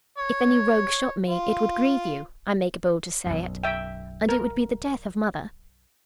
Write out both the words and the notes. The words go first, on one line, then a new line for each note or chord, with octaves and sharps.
If any rogue shot me it would grieve you; I make bold to say it, and it would be the death of mother.
C#5
F4
B1 F#2
E5 G5
A#4